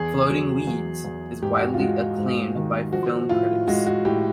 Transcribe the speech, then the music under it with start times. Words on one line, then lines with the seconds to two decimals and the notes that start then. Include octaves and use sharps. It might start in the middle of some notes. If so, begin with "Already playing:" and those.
"Floating Weeds" is widely acclaimed by film critics.
Already playing: E2 G#4
0.30 F#3
0.67 E2
1.05 E2
1.42 G#2 G4
1.62 F#4
1.74 F4
1.79 G#3 F#4
1.99 F4
2.17 G#2
2.55 D#3
2.93 F3 F#4
3.29 A2 F4
3.68 G#3 F#4
3.87 F#4
4.05 A2 G4